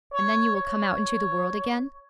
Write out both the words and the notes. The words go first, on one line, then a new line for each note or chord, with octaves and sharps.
'And then you will come out into the world again?
C#5
C#5